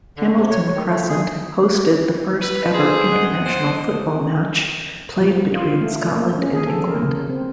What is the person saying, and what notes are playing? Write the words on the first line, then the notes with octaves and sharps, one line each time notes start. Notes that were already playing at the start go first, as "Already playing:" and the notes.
Hamilton Crescent hosted the first ever international football match, played between Scotland and England.
D3
C3
C#5
D#3
A3
G#4
B4
G#4 C5
D#5 F#5
C5
F3
F4
A3
A#3
C#4
G#4
A4
A#4
C#3
C4